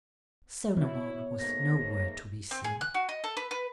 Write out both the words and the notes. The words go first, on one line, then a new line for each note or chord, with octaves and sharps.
Solomon was nowhere to be seen.
B2 E4 C#5
G#2 A3 A#3 A#6
C4
G#4
F#6
F#4
D#5
A4
B4
B4